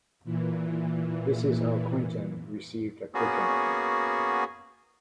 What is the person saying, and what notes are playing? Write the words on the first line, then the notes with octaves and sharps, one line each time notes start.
This is how Quentin received a Quickening.
A#2 E3
A#3 B3 C#4 F#4 G#4